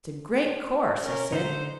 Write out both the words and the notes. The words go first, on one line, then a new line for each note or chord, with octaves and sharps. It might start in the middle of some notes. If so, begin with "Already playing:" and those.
"It's a great course," I said.
C#4 A#4
D3 D#4 C5